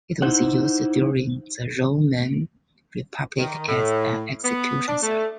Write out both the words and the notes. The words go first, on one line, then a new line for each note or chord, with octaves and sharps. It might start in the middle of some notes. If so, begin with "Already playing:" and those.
It was used during the Roman Republic as an execution site.
D#4 E4 C5 F#5
D#3
A2
B3
D4
A3